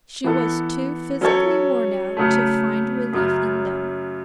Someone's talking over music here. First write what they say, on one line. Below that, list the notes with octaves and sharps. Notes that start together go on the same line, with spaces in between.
She was too physically worn out to find relief in them.
E3 B3 A4
F#3 C#4 A4 C#5
C#3 F#3 A3
F#2 C#3 F#3